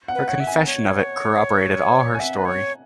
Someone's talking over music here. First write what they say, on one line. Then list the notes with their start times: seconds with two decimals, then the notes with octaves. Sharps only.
Her confession of it corroborated all her story.
0.08 F#5
0.15 B4
0.28 C#5 F#5
0.40 E5
0.47 G#5
0.61 B4
0.66 C#5
2.14 G#5
2.20 E5 F#5
2.37 B4
2.45 C#5